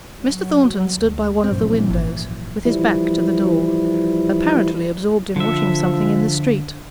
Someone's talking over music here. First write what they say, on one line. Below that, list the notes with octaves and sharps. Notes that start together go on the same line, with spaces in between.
Mr. Thornton stood by one of the windows, with his back to the door, apparently absorbed in watching something in the street.
F#3
D2
A#1 F#2 E3 C4
G#1
E3 F3 G3 E4
D3 F3 E5